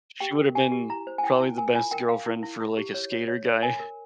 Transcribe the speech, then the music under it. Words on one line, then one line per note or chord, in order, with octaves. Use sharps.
she woulda been probably the best girlfriend for, like, a skater guy.
G4 G5
A#4
G4 G#5
G4
E4 A#5
C5
G#5
E4 G5
E4
A#4 G#5
F4 G#5
A#4 G5
A#4 F5
E4
E4
E4
G4
C#5
C#5
C#5
C#5
A#4 G#5
A#4